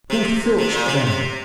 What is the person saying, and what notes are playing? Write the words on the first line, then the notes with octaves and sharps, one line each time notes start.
Who filched them?
C3
C3
A#2
C3
C3